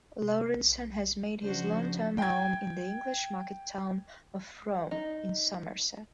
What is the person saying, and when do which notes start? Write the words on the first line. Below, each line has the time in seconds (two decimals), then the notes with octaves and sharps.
Laurenson has made his long-term home in the English market-town of Frome in Somerset.
0.21 C3
0.54 B1
1.42 C#3 F3 D4 F#4 C5
2.18 G5 G#6
4.91 D#4